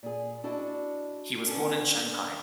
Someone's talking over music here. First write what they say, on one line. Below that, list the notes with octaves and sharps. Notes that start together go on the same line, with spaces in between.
He was born in Shanghai.
A#2 G#4
D4 E4 F#4 D5 D#5
B3 C#4 D4 A4